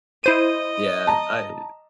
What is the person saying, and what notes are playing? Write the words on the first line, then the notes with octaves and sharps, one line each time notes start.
Yeah. I hate it.
E4 C5 D#5 D#7
A5 A#5